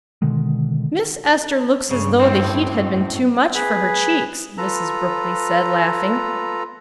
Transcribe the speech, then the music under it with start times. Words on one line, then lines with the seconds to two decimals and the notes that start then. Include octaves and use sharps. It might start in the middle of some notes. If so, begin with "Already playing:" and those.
"Miss Ester looks as though the heat had been too much for her cheeks," Mrs. Brookley said, laughing.
0.22 B2 D3 D#3 G#3
1.91 G2 C#3
2.20 F#2 A2 C4
3.54 G#4 B4
4.58 F4 A4 B4 A#5